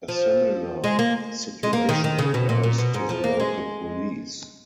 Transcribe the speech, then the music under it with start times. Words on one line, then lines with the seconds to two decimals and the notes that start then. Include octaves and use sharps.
A similar situation applies to the local police.
0.08 F3
0.84 G#3
0.99 A#3
1.63 G#3
1.73 A#3
1.89 D#3
2.04 D#3
2.19 C#3
2.34 B2
2.49 A#2
2.64 A#2
2.78 B2
2.94 G#2
3.09 F3
3.24 A#3
3.40 G#3